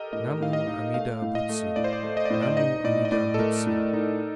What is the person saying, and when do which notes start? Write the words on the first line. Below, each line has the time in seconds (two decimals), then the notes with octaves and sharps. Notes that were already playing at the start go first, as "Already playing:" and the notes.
"Namu Amida Butsu, Namu Amida Butsu."
Already playing: G4 A4 A#4 D#5
0.13 A2 D#5
0.40 A2 F5
0.53 D#5
0.67 D#4
0.94 A3 F5
1.22 A2
1.35 D#5
1.49 A3
1.76 A2 D5
1.84 C5
1.93 D5
2.03 A3
2.17 D#5
2.25 D5
2.30 A2 C5
2.42 D5
2.57 D#4 D#5
2.84 A2 D5
3.05 D#5
3.11 A2 D5
3.34 A4
3.39 A3 A#4
3.67 A2
3.93 D#4